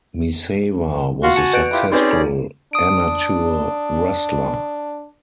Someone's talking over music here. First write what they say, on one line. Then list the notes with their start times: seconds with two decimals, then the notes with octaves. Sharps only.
Misawa was a successful amateur wrestler.
1.23 F4 F#4 F5
1.36 G#5 A5 C#7
1.53 B4 F#6 D7
1.72 E4 F4 G4
1.92 C4 C#4 D#4 G#4 B4 D5
2.73 D4 D#6 D7